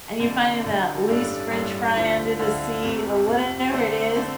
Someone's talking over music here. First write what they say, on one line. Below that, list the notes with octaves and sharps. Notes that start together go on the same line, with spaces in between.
and you're finding that loose French fry under the seat or whatever it is,
F1 F2 D3
F1 F2 D3
A1 G2 G3 D4 A4
A1 G2 G3 D4 A4
D2 D3 F3
D2 D3 F3
F2 C3 A3
F2 C3 A3
D3 A3 C4
D3 A3 C4